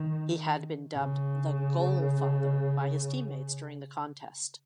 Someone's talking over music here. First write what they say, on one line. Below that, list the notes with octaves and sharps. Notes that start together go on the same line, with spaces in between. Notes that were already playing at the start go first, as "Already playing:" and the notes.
He had been dubbed 'The Golfather' by his teammates during the contest.
Already playing: D#3
C#3